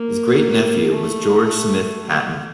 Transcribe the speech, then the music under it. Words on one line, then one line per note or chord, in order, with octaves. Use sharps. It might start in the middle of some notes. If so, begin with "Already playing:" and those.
His great-nephew was George Smith Patton.
Already playing: A#3
A3